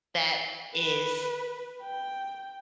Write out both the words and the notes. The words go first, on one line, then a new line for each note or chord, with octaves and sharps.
that is
B4
G5